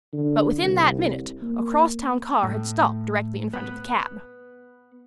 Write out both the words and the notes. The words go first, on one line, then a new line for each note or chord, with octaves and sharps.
But within that minute a crosstown car had stopped directly in front of the cab.
D3
C2
A#3
A2
B3